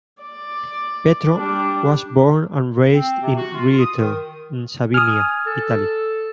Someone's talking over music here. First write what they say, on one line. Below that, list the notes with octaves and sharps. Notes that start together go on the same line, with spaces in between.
Petro was born and raised in Reate, in Sabinia, Italy.
D5
G3 D4
C4
C3
F#4
F4
D#6
D#3
G#5 D#6 F6
A4